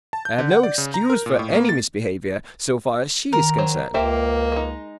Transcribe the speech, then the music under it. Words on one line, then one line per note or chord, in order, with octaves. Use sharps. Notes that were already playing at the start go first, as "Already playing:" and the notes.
I have no excuse for any misbehaviour--so far as she is concerned.
A5
G6
D3
F#5
D5
C#3
A#5
A#4
A#2
A2
A#3
A6
D#3 A#4
F#3 C5 C#5
C#2 A#3 G4 C5 E5
G#3 D#4